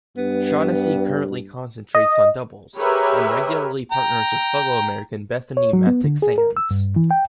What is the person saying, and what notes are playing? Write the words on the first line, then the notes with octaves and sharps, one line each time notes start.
Shaughnessy currently concentrates on doubles, and regularly partners with fellow American Bethanie Mattek-Sands.
G2 B3
D#5
G4 G#4 A#4 B4 C#5 E5
G5 A#5
C#5
F#3
B3
D3
G#4
A#4
E6
G2
E3
G5